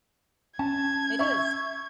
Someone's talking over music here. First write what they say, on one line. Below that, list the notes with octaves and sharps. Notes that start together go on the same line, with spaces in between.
It is.
C#4 A5 G#6
E5 C#6